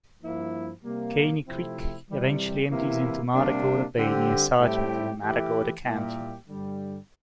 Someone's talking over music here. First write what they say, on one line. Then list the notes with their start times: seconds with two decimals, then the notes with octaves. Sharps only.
Caney Creek eventually empties into Matagorda Bay near Sargent in Matagorda County.
0.21 G2 F3 A#3 E4
0.83 C3 G3 A#3
1.46 C3 F3 A3 C4 E4
2.09 C3 E3 G3
2.71 C3 E3 A#3 E4
3.34 C3 G3 A#3 D4
3.97 D3 G3 C4 G4
4.59 A2 G3 C4 E4 G4
5.22 E3 A3 E4 G4
5.85 A#2 G3 A#3 E4 G4
6.47 G2 D3 G3